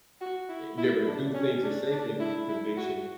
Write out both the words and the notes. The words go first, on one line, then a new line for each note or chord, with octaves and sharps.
eh, you're able to do things and say things with conviction
F#4
E4
E4
D4
C#4
D4
D4
E4
E4
F#4